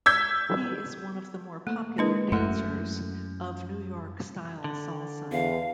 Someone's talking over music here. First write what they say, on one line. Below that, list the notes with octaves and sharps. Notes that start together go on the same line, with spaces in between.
He is one of the more popular dancers of New York style salsa.
E6 G6 G#6 B6
A3 A#3
G#3 A#3 D4 E4 B4 D#5
F#2 A3 E4 F#5
D3
E2 F5